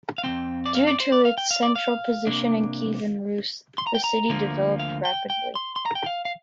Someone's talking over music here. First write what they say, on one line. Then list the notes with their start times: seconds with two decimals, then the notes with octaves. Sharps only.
Due to its central position in Kievan Rus', the city developed rapidly.
0.18 F5
0.24 F2 F3 C4 G5
0.66 D5
0.75 F5
0.87 D5
1.00 C5
1.12 D5
1.25 F5
1.38 G5
1.51 F5
1.63 D5
1.76 F5
2.27 C3 A#3 D4
3.78 C6
3.87 A#5
3.95 G5
4.04 A#5
4.29 D2 D3 F3 A#3
4.79 F5
5.05 G5
5.30 G5
5.55 C6
5.76 C6
5.86 A#5
5.95 G5
6.06 F5
6.25 F5